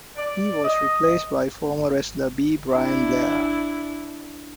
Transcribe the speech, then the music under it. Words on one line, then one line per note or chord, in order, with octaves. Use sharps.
He was replaced by former wrestler B. Brian Blair.
D5
D#5
D4 E4